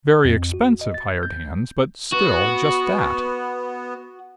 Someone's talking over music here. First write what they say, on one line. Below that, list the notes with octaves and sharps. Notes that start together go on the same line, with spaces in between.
Very expensive hired hands, but still just that.
F2
F#4
D#5
A6
G6
B3 F#4